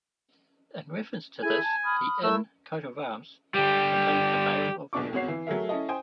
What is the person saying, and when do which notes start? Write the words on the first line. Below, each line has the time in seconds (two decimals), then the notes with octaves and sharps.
In reference to this, the Inn coat of arms contained a bale of wool.
1.43 E4 G#4 A4 G#5
1.61 A5
1.83 B5 D#6 F6
2.23 A3 E4 A#4 E6
3.54 D3 G3 G4
4.93 B1 E2 B2 D4 C#6 D6
5.13 G#1 E2 F#4 C#5 C7
5.28 E3
5.47 F#3 A3 G#4 A#4 E5
5.69 C#4 E4 A4 D#5
5.89 C5 G5 G#5 D#6